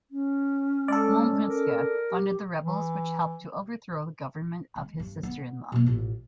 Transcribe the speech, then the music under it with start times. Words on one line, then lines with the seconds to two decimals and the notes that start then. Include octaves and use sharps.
Montpensier funded the rebels, which helped to overthrow the government of his sister-in-law.
0.11 C#4
0.88 G#3 A4 D5
1.48 A#4
2.10 G4
2.60 E3
4.76 G#3
5.00 G2
5.23 B3
5.72 B2 A#3
5.86 A1 F4